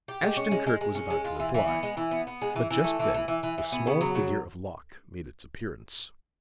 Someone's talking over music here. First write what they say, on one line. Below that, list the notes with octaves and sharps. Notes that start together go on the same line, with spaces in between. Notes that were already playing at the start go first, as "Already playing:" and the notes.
Ashton-Kirk was about to reply; but just then the small figure of Locke made its appearance.
G4
G#3
C#4
G#3
G#3
G#3
C#4
G#3
F4
E3
E3
B3
G#3
E3
B3
B3
G#3
E3
E3
A3
E3
E3
E3
E3
E3
B3
C#3
F#3
C#3